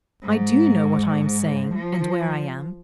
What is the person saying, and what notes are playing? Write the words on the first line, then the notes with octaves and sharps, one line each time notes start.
I do know what I am saying and where I am.
G#2
F3